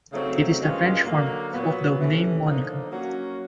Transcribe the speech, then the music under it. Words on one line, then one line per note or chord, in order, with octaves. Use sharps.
It is the French form of the name Monica.
C#3 F#3 A3 C4 D#4
G2 D#3 G#3 C#4 F4
D3 F#3 A#3
A#2 F#3 B3
C3 E3 A3 C#4
D3 F3 A#3 D#4
F#3 A#3 C#4 F#4